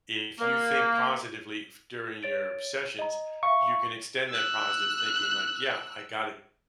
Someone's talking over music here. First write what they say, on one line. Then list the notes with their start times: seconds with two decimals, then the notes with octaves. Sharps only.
if you think positively f during your sessions, you can extend that positive thinking like, "Yeah, I got
0.40 A#3
2.23 C#5 A6 D7
2.99 D#5 A#5
3.43 E5 F5 C#6
4.30 E6 F#6